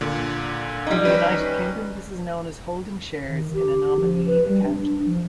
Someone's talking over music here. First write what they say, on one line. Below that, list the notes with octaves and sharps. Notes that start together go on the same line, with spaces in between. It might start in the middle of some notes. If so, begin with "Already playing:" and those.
In the United Kingdom this is known as holding shares in a nominee account.
A#2 D3
G3 D#4
D#3 C#4 B4
D#3
G4
F3
B4
G3
D4
F3